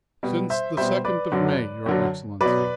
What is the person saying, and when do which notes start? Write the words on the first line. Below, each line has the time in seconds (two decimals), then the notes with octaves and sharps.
"Since the second of May, your Excellency."
0.23 B2 G3
0.50 C5 E5
0.77 B2 G3 C5 E5
1.05 B4 D5
1.32 F#2 D3 F#3
1.86 F#2 D3 F#3
2.41 B2 F#3 B4 D5